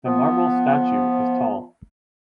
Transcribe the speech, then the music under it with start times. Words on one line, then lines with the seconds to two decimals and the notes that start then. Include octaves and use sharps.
The marble statue is tall.
0.05 F3 B3